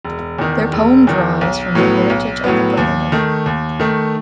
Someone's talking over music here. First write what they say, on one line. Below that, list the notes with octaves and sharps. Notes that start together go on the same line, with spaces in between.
Their poem draws from the heritage of the brotherhood.
E1
E2 D#3
E1
E2 D#3
B1
A2 F#3 B3
B1
A2 F#3 B3
D#2
D#3 A3
D#2
D#3 A3